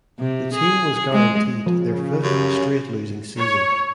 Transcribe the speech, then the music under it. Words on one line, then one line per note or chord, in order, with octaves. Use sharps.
The team was guaranteed their fifth straight losing season.
C3
G#4
G#3
C#3 F3
F#2 F#4 G4
C#5